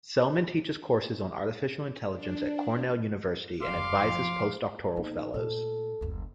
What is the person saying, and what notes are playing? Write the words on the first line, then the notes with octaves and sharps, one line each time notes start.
Selman teaches courses on artificial intelligence at Cornell University and advises postdoctoral fellows.
D4
F#1 G3 F5 C6 D6
F3
B1 A#3 D#4
A#2 A3 A4
F#1 D2